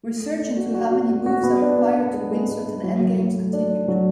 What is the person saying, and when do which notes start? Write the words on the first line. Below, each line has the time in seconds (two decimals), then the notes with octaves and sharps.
Research into how many moves are required to win certain endgames continued.
0.04 A3
0.21 A3
0.39 D4
0.57 F#4
0.74 F#4
0.91 F#4
1.09 F#4
1.26 F#4
1.44 B3
1.61 D4
1.78 B3
1.96 D4
2.14 G#3
2.31 G#3
2.48 G#3
2.66 D4
2.83 F#3
3.01 F#3
3.18 F#3
3.36 A3
3.53 D4
3.71 D4
3.88 F#3